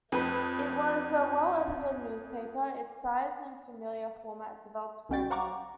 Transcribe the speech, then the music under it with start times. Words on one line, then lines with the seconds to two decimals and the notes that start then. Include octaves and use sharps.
It was a well-edited newspaper, its size and familiar format developed gradually.
0.12 F2 B4 B5
5.09 B1 D3 C#4 F#4 G5 A6
5.30 C5 F5 F#5 A#5 C#6 D6